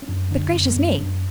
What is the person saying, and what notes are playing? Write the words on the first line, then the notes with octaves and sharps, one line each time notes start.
But gracious me!
C#4
F#2 D4
D3 D4
F#2 C#4
B3
F#2 A3
B3
C#4
F#2 D4